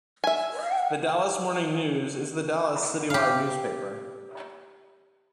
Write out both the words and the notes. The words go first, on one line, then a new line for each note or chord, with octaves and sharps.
"The Dallas Morning News" is the Dallas citywide newspaper.
E5 G#5
G4 F5